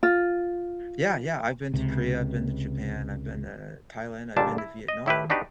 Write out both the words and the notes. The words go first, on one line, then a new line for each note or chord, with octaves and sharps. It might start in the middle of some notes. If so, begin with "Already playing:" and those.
Yeah, yeah, I've been to Korea, I've been to Japan, I've been to Thailand, I've been to Vietnam,
F4
C#2 C3
G1 C#2 A#2 G3 D4 A5
E4
D#5
A2 E4 G4 B4
B3 D4 D#4 F#4 G4 B4